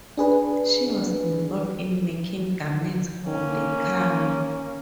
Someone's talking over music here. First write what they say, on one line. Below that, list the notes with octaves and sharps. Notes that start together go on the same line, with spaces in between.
She was involved in making garments for the kami.
D4 G#4 B4
A#3 C#4